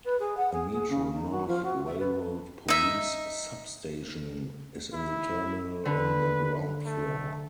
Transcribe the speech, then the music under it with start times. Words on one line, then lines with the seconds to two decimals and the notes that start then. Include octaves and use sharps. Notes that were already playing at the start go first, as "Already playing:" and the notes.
A Metro-North Railroad Police substation is in the terminal on the ground floor.
0.05 B4
0.20 G#4
0.37 F#5
0.52 G#4
0.72 G#4
0.90 C#3
1.14 D#4
1.31 F#4
1.47 F3
1.63 F#4
1.86 E5
1.99 B4
2.68 D#4 E5
4.93 E4
5.85 D3 B4
6.86 A3